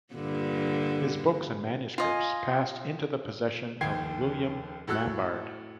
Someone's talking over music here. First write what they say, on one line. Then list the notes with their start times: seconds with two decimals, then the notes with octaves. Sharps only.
His books and manuscripts passed into the possession of William Lambarde.
0.15 G2 A#2 D3
1.98 F4 D#5 G#5
3.81 F1 D#2 G5 G#6 C7
4.87 A2 F#4 A4 E6 F#6